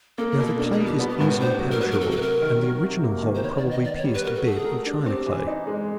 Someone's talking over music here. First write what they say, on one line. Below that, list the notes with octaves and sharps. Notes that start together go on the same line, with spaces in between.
Now, the clay is easily penetrable, and the original hole probably pierced a bed of china clay.
A#3 A4
G#4
B2 A#4
A4
D4 A4
G#4
G3
G4
B3 F4
G4
A2 A#4
B4
D4 C5
F#3
A#4
F#3 B4
A#4
C3 A4
A4
B4
C3 A#4
D#3
F#3
C3
A#3
D#3
C5
B3 C#5
D5
D#3
D#5
D#3 D5
C#5
G3
B4
F#4 A#4
A4
A3 G#4
A4
G#4
A#4
D4
C4 G4
E3
D#4
G#3